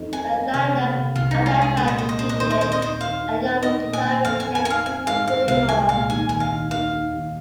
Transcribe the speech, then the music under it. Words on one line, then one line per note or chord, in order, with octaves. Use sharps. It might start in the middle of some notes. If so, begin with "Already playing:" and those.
The lineup at that time included a young guitarist named Vinnie Moore.
Already playing: F2 D#4
C4 G#5
C4
C3 F5
A#3
C3
C2 F4
D#4
G#3
F4
G#3 G#4
A#2 C5
D#5
A#3 C5
D#5
A#2 C5
D#5
D#2 C5
D#5
C4 C5
D#5
D#2 C5
D#4 F5
D#4
C4
D#4 D#5
A#2
G#5
A#2
F2 F5
G#5
F2
G#5
D#4 G#5
F5
C4 G#5
G#2 F5
G#2 F5
C2 F5
G#3 G#5
A#2 F5
D#2 G#5
D#3 G#5
F5
D#4
D#2 F5
D#3
D#2